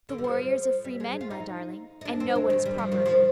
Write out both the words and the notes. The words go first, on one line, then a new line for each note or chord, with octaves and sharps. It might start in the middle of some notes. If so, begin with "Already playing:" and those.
'The warriors are free men, my darling, and know what is proper.
D3
G3
F3
G3
G#3
F4
D#4
D#4
D4
C4
G#3
D#3
G3
F3
D#3
F3